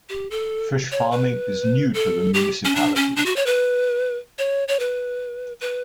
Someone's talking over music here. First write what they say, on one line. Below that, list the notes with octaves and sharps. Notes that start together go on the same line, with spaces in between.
Fish farming is new to the municipality.
G4
A4
C#5
B4
A4
G4
C#4
D4
C#4
D4
F#4
C#5
B4
C#5
C#5
B4
B4